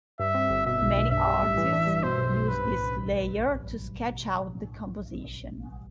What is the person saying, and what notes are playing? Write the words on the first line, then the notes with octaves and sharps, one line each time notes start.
Many artists use this layer to sketch out the composition.
G2 E5
C4
G1
B2 E5
B1
B1
G2 E5
G3
A1
E3
D4
G2
B2 C5
B1
B1
G2 B4
A1